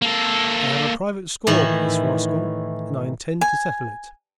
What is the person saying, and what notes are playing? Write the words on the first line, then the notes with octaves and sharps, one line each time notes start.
I have a private score with this rascal, and I intend to settle it.
A#3 A4
A2 D#3 E3 E4
G#5